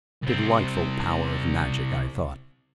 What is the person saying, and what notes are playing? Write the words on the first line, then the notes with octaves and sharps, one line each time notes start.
"Delightful power of magic!" I thought.
C2 C4